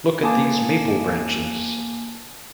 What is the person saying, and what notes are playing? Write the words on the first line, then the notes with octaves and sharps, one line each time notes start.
Look at these maple branches.
A#3 G#5 A5 D6